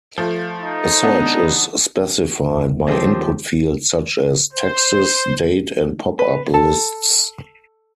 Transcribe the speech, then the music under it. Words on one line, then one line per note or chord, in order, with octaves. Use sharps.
A search is specified by input fields such as: texts, date and popup lists.
F3 A3
D#4
B3 D4
D1 E2
D#2 F3 F#3 C4 G4 G#4
C5
B4
A4